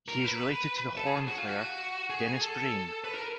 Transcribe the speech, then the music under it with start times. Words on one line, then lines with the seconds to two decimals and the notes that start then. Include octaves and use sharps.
He is related to the horn player Dennis Brain.
0.08 A#4
0.24 B4
0.97 A4
1.07 G#4
1.28 F#4
1.38 F4
1.49 F#4
2.10 G#4
2.42 A4
3.04 B4
3.15 A#4